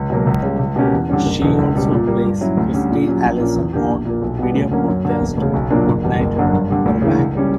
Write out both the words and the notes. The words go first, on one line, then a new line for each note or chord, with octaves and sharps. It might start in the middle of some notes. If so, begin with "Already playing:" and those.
She also plays Christy Allison on the video podcast Goodnight Burbank.
Already playing: C#2
B2 F#3 A#3
C#2
C#3 G3
C#2
B2 A#3 C#4 G4
E2
D3 G3 C#4
F#1
E2 B2
C#2
B2 G3 C#4
A#2
G3 A#3
G2
F#3 C#4 E4
D2
D3 G3 C#4
A#2
F#3 C#4 G4
A#1
A#2 A#3 C#4
E2
D3 A#3 D4 G4
A#1
A#2 A#3
B1
B2 G3 B3
D2
D3 F#3 A#3 C#4
F#2
D3 A#3
E1
D2 C#3
B1
A#2 F#3 A#3 D4
F#1
E2 B2 G3
F#1
F#2 D3 F#3 A#3
G2
D3 G3
D2
C#3 E3 A#3 D4
C#2
C#3 G3 C#4